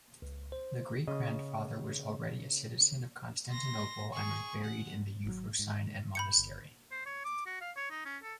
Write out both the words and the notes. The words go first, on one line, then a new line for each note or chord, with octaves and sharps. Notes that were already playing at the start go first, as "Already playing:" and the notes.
The great grandfather was already a citizen of Constantinople and was buried in the Euphrosyne monastery.
C#2
C5
C#3 D#5
C6 A#6
G#4 C#6
F#5
G#1 D#3 F#3
G#2
B5 G6 C#7
G1
C5
C#5
D6
F#4
F5
C#5
D#4
C#4
A4